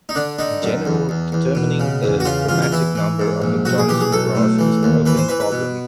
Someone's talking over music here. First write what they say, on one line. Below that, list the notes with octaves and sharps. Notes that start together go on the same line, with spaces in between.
In general, determining the chromatic number of a Johnson graph is an open problem.
D#4
D3 D4
D3 D#4
F#2
E2
E2
E2
B2
C#3
E2
F#4
C#3 F4
E2 F4
F4
E3 E4
E3
G#2
A#1
B1 F#4
G#4
E3 G4
G#4
B1 A4
A2
E3
D#2
E3 B4
C5
E3 B4
B4
B2